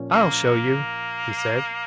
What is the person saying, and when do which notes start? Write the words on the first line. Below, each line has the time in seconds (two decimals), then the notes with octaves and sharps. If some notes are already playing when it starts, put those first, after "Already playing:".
"I'll show you," he said.
Already playing: A#2 F3 C#4
0.10 A#3